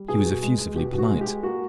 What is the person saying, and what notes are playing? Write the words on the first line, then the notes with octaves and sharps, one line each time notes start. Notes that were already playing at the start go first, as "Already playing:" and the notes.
He was effusively polite.
Already playing: G3
B2 G#4
B2
G#3
G#3
B2 G4
B2
F#4
G#3
G4
G#3
A#3 F#4